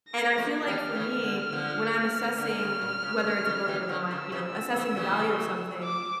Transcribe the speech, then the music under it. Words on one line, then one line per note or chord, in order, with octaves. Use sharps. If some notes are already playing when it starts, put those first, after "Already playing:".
and I feel like for me, when I'm assessing whether it's a book or not, you know, assessing the value of something
A#6
F3 A3
E3 G3 F6
C#3 E3
D3
D3 F3
D3 F6
C#3
A#2
C#3
C#3
C#3 E3
E3 G3
D3 F3
C#3 E6
C#3 E3
C#3 E3
C#3 E3
D6